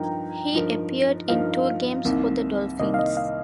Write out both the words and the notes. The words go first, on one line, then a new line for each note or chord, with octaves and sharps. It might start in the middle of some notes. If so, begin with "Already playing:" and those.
He appeared in two games for the Dolphins.
Already playing: G2 F3 D#4 A#4 G5 A#5
G2 F3 D#4 A#4
G2 F3 D#4 A#4 F5
C2 C3 D#3 A#3
C2 C3 D#3 A#3 D#5
F5
D#5
F5